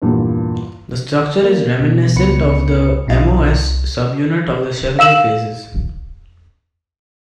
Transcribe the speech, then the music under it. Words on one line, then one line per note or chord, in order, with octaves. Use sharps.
The structure is reminiscent of the MoS subunit of the Chevrel phases.
E2 G2 A#2
A#3
B2
C#2 B3 B4 C#7
B1 C3 E4 F4 D#5
C2
F5 E6 E7 F#7